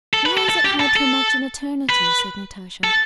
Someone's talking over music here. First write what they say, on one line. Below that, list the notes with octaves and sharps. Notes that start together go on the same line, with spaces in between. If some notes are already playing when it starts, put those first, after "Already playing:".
"Why is it hard to imagine eternity?" said Natasha.
A4
B4
A4
A4
G4
A4
A4
B4
A4